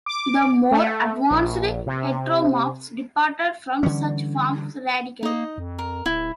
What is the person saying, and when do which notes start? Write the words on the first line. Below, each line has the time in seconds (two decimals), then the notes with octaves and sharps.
The more advanced heteromorphs departed from such forms radically.
0.06 D6
0.71 A3
1.31 A#1
1.86 C3
3.83 D3 E3 G3 C#4
5.23 A#3 D#4 D#5
5.58 F2
5.79 A#4
6.06 D1 E4